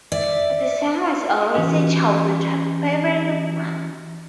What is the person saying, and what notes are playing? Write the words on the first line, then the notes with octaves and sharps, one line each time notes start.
The song was always a childhood favorite of mine.
D5 E5
E3 C#4 F#4 G4